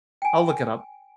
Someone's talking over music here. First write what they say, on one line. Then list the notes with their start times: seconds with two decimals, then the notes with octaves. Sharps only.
I'll look it up.
0.22 G5 G#5